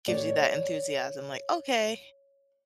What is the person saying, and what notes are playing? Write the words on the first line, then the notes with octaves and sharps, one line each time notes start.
gives you that enthusiasm, like, "Okay,
C#5 D5